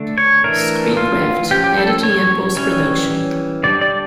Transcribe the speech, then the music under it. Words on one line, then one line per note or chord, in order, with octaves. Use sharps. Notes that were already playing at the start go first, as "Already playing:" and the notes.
Screencraft: Editing and Post-Production.
Already playing: D3 A3 D4
C#5
E3 A3 D4 A#4
F4
F3 C#4 G4
G4
A4
C#5
E3 G3 C#4 C#5
D3 G3 D4 D5
D5